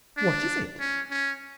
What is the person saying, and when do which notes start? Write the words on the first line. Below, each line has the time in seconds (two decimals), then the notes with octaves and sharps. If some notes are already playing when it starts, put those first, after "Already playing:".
"What is it?"
0.17 D4
0.80 C#4
1.11 C#4